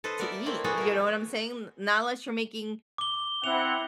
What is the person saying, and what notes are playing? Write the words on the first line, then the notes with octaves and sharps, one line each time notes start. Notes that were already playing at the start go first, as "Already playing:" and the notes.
to eat? You know what I'm saying? N not unless you're making,
A4 B4 C5 D#5
B3 A#4 D5 E5
A3 A#3 C4 E4
A#3 B3 E4 F#4 G#4 A4
A#4 E5
D6 G7
C4 E4 F#5 F7